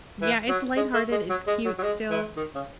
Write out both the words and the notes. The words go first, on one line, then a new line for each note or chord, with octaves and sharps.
Yeah, it's light-hearted, it's cute still,
E3
F#3
G#3
A3
G#3
F#3
G#3
F#3
F#3
G#3
E3
D#3
C#3